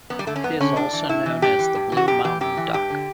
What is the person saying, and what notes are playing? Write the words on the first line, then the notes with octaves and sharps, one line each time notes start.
It is also known as the Blue Mountain duck.
F#2 B3
G3
D3 A3
C#4
F#2 B3
D3 C#4
A2 D4
E3
A2 E4
E3
G2 G4
E3
G2
E3 F#4
F#2 G4
E3 G4
F#2 G4
E3
G2 G4
D3